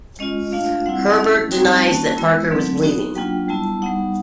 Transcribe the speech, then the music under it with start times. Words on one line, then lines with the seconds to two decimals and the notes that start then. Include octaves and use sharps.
Hebrard denies that Parker was bleeding.
0.19 G#3 C#4 F4 D#5
0.52 A3 D4 F4 F5
0.86 G3 C4 E4 F#5
1.18 A3 C#4 E4
1.51 G3 C4 D#4 F#4 G5
1.84 A#3 C#4 F#4 A5
2.17 G#3 B3 E4
2.50 F#3 A3 C4
2.83 B3 D#4 F#4
3.16 F#3 A#3 D4 F4 G5
3.48 G3 B3 E4 A5
3.82 G3 B3 D#4 F#5